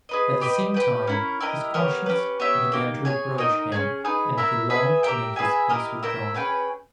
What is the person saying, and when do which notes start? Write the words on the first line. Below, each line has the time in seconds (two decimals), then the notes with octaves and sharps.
At the same time his conscience began to reproach him, and he longed to make his peace with God.
0.09 G#4 B4 D#5
0.41 G4 B4 D#5
0.74 G4 B4 G5
1.07 C#4 E4 A#4
1.40 E4 G4 A#4 D#5
1.74 B3 G4 A#4 C#5
2.06 C#4 G4 B4
2.40 B3 G4 C#5 E5
2.72 A#3 D#4 G4
3.05 G#4 C#5 G#5
3.38 D#4 A#4 D#5 G5
3.72 C#4 E4 G#4
4.05 D#4 G#4 B4
4.38 E4 A#4 E5
4.70 G#4 B4 E5 G#5
5.03 G4 A#4 E5 G5
5.36 G#4 B4 E5 G#5
5.69 E4 G4 A#4 D#5
6.03 E4 A#4 E5 G5
6.34 C#4 G#4 B4 G5